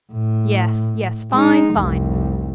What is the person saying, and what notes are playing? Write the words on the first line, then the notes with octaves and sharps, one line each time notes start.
Yes, yes--fine, fine.
A2
G#3 D#4
F1 C2